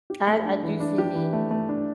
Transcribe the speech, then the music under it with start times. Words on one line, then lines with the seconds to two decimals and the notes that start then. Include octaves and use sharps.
I I do see me,
0.10 G4
0.27 A3
0.45 D4
0.63 E3
0.80 D4
0.98 G4
1.15 E3
1.33 A3
1.51 A3
1.69 D4